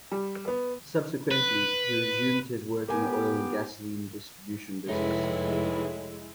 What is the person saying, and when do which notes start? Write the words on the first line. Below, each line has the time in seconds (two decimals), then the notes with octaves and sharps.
Subsequently, he resumed his work in the oil and gasoline distribution business.
0.12 G3
0.48 B3
1.31 B4
2.88 B3 G4 A#4 G#5
4.88 F1 A2 G#3 D#4 E4 B4